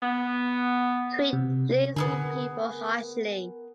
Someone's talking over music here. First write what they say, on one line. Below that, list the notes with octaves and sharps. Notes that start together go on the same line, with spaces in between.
Treat lazy people harshly.
B3
C3
D3 B3 E4 G#4 A#4